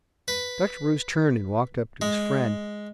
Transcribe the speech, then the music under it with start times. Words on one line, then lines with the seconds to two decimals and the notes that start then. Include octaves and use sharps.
Dr. Bruce turned and walked up to his friend.
0.28 B4
2.01 G#3